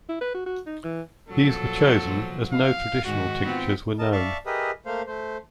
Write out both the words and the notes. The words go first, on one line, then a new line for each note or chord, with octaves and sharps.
These were chosen as no traditional tinctures were known.
E4
B4
F#4
F#4
D#4
E3
A#2 F3 F#3 A4
F5
G#2 D#3 F#4
B3 C4 F4
A#4 D#5 A5
D5 E5 F5 A5 C#6
G4 G#4 A#4 B4 D#5 E5
A3 A#3 C5 F5
A3 C5